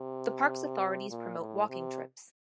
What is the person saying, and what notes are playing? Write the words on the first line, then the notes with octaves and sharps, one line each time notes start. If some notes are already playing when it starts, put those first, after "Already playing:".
The park's authorities promote walking trips.
Already playing: C3
A#2
A2
C3